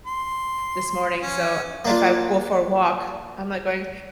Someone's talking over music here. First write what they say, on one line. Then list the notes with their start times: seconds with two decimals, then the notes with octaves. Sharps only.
this morning, so, if I go for a walk, I'm like going,
0.07 C6
1.21 C#4
1.85 A#3 D4 F4